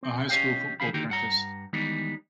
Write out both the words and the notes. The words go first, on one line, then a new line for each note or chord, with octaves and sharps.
A high school football practice.
C4
C#4 G4 C#5 D#5 F5 G5
D3 E3 F3 G#4 F5 B5
D3 D#3 A#3 D#4 F#4 G4
G2 F#5 A#5
D#3 E3 G3 G#3 B3 D#4